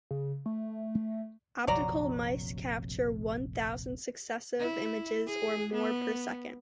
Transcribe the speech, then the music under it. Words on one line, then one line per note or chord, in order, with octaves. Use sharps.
Optical mice capture one thousand successive images or more per second.
C#3
A3
F1 A#1 A#2 F#3 D5 A#5
E4
G#4
B3